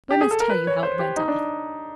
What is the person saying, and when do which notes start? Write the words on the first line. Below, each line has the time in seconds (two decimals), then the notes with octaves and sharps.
But I must tell you how it went off.
0.11 G4
0.21 G#4
0.31 A4
0.40 A#4
0.50 B4
0.67 C#5
0.83 C5
0.99 G4
1.16 D#4
1.28 D4